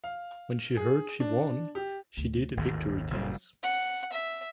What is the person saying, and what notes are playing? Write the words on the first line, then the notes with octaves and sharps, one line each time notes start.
When she heard she won, she did a victory dance.
F5
G#4
D4
G4
D2
G#1 D#2 A2
F#1 A#2 G3
F#5
E5